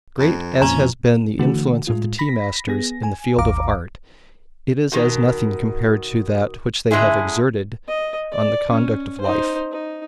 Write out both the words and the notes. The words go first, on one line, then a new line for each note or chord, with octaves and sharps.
Great as has been the influence of the tea-masters in the field of art, it is as nothing compared to that which they have exerted on the conduct of life.
F2
F2 A#2 F3 C#4 A#5
D3 E3 A3 F#4
A2 G#3 F4
B5 A#6 B6
B3 G#4 A#6
G#5
G#1 D#2 F5 A#5 D6
B2 D#3
D3 G#3 C#4 E4 G#4
D#5
D5
C#4
D#4 C5
D#4